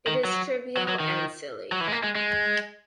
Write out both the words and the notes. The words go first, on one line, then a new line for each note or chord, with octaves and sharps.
It is trivial and silly.
D#3
F#3
F#3
F#3
D#3
F#3
E3
G#3
A#3
G#3
G#3